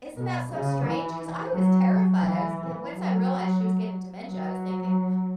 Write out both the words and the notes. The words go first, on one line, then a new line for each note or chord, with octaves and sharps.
Isn't that so strange? 'Cause I was terrified, I was and once I realized she was getting dementia, I was thinking,
B2
C#3
E3
F#3
E3
F#3
F#3